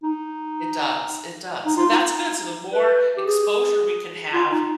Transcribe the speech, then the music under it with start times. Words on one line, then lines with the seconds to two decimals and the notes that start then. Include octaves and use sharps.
It does, it does, and that's good so the more exposure we can have,
0.03 D#4
1.65 D#4
1.77 F4
1.90 D#4
2.73 B4
3.17 G4
3.26 G#4
4.34 F4
4.52 D#4